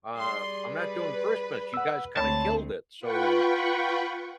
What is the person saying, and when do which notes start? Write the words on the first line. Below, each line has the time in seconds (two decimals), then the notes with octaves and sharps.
uh, I'm not doing Christmas, you guys kinda killed it, so
0.18 G3 G#4 D5 C6
0.69 B4
1.74 F#5 E6
2.17 D2 G#3 C4 C#5 A5 B5
3.00 F4 B4 F#5 G5 B5 C#6